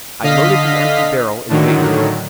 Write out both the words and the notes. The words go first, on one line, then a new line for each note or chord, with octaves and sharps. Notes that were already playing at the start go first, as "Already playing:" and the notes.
I loaded the empty barrel and waited.
D3 D#5 F5 B6
A2 D3 D#3 F#3